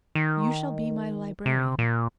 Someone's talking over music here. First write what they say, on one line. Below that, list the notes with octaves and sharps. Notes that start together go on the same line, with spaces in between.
You shall be my librarian.
D#3
C3
A#2